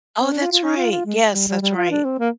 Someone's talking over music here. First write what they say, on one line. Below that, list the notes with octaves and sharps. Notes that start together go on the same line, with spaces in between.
Oh, that's right, yes, that's right.
C4
D4
F4
F4
D#4
F4
F4
G#3
G3
G3
G3
F4
D4
C4
A#3